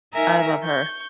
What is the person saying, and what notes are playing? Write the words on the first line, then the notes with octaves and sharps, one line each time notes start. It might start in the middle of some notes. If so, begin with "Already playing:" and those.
I love her.
D#4 A#4 E5 G#5 A#5
C#6 G6